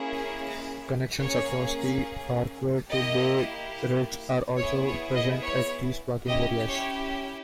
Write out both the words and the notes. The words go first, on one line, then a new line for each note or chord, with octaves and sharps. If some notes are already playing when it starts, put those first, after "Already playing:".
Connections across the parkway to Bay Ridge are also present at these parking areas.
Already playing: A#3 C#4 E4 G#4
A#3 C#4 G#4 C#5
A#3 E4 G4 D#5
B3 E4 G#4 C#5
C#5
D#5
C#5
C#4 E4 G4 D#5
C#5